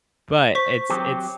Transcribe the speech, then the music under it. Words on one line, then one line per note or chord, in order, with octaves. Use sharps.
but it's it's,
C5 C#6 B6
F#3 C4 G4